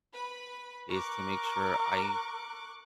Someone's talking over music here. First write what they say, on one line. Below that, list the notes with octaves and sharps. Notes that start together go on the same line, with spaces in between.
is to make sure I
B4 B5
A#4 C#6 D6 F#6